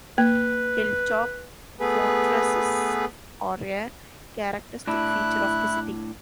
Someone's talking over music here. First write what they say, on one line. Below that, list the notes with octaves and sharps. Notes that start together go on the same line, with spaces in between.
Hilltop fortresses are a characteristic feature of the city.
A#3 B4
A3 B3 G#4 B4
A2 D4 E4 F#6